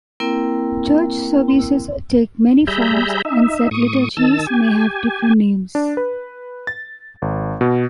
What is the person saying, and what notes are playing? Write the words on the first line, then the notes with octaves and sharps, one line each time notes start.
Church services take many forms, and set liturgies may have different names.
A#3 C4 E4 A#4 G5
G3 G#4 E5 A#5 B5 G6
D#4 E5
A2 C#6 D#6
D#3 A5 E6
G4 G#5
D4
B4
A6
G#1
B2